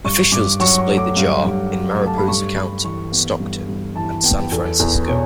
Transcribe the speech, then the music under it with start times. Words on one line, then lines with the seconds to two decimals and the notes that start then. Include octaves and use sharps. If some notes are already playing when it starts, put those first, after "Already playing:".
Officials displayed the jar in Mariposa County, Stockton, and San Francisco.
0.05 G2 C#6
0.32 G2 D6
0.60 F#3 C#6
0.78 C#6
0.88 A3
0.97 D6
1.17 G2
1.45 G2
1.73 F#3
2.01 A3
2.06 A5
2.18 B5
2.28 G2 C#6
2.56 G2 B5
2.84 E3 C#6
3.12 B3
3.40 G2
3.69 G2
3.95 E3 A5
4.23 B3 G5
4.52 E2 A4
4.79 E2 B4
5.08 B2 C#5